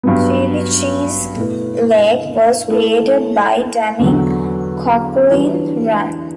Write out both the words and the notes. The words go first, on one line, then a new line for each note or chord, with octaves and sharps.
Chevy Chase Lake was created by damming Coquelin Run.
G2 F#3 B3
B2 A3 E4 B4
A3 E4 A4
E2 D3 F#3
E3 G3 D4 F#4 B4